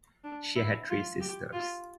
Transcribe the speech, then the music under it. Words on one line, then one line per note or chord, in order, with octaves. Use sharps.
She had three sisters.
D4
E4
F4
G4
F4